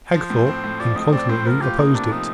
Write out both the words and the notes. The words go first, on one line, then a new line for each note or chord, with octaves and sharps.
Hagthorpe incontinently opposed it.
F3 C5
A2
C4
A2
F3 D5
A2 D#5
C4 D5
A2 C5
F3 A#4
F4 G4
A#3 D#4
C3 D4
F3 D#4